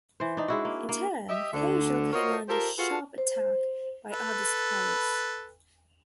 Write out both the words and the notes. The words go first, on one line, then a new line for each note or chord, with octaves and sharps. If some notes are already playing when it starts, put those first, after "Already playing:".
In turn Fogel came under sharp attack by other scholars.
E3 C5
D4 D#4
G#3 E4 F#4
A#3
A#3
G4 D#5 E5
D2 D3
F4 F#4 A#4 C5 C#5 D#5
F4 G4 A4 A#4 C5
F4 F#4 G#4 A4 B4 F5
C5
A4 B4